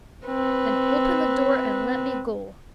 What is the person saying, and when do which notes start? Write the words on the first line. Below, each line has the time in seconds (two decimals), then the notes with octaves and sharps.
"Then open the door and let me go."
0.27 C4 B4